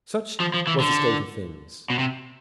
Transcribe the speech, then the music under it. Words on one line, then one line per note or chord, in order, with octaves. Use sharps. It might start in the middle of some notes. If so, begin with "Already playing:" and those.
Such was the state of things.
F3
F3
E3
D3
B2
C3